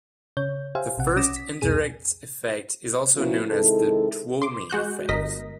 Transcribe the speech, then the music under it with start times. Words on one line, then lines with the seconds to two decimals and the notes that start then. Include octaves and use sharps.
The first indirect effect is also known as the Twomey effect.
0.37 C#3 C#5 G6
0.75 G4 C5 E5 F5 G#5
0.98 A#1 C3 F#5
1.16 B1 C#4 D6 D#6 A#6 E7
1.36 B6
1.61 C2 F2 B2 G#4 D#7
3.15 F3 A#3 B3 C#4 E4 F#4
3.48 C3 D#3 G#3 E4 A4
4.42 C6 D6
4.70 G#3 F#4 F#6 G6
5.09 G1 A#4 D#5 A#6 B6